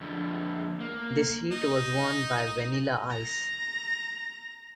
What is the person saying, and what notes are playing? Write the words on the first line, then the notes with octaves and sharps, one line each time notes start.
This heat was won by Vanilla Ice.
F2 D3
A#3
D#4
A#5 A#6